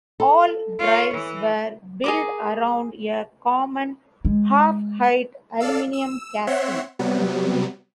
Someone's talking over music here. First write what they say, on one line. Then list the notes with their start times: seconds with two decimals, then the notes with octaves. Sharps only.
All drives were built around a common half-height aluminum casting.
0.20 A4
0.79 F4 C#5
1.14 E3
2.04 G#4 A#4 D6
4.25 G#3
5.60 A4 D5 F5 E6
5.93 E6
6.47 C4 C#5 E5 F#5 C6
6.99 C3 F#3 G3 B3